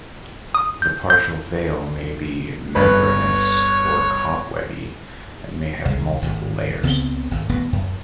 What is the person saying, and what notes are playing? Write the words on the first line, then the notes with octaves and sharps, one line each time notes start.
The partial veil may be membranous or cobwebby, and may have multiple layers.
D#6
G6
G6
G1 B4 C#5
C2 G#3
G#1 A2
C#2 C#3 B3 C4
G#1 A2
D#1 A1 G2 B3
F#2